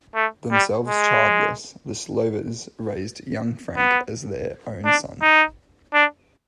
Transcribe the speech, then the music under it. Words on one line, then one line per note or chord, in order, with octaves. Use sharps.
Themselves childless, the Slovers raised young Frank as their own son.
A3
G3
G#3
B3
D4
D#4
D4